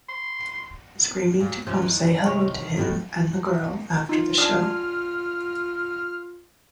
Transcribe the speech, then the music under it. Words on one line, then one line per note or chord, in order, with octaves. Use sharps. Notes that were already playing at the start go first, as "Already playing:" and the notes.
Screaming to come say hello to him and the girl after the show.
C6
A#2 F#3
C3 F3 C#4
F#2 D#3 E3
C3 D#3 C#5
A2 D#3 F#4
D#4 F4
D4 G#4 D#6 F6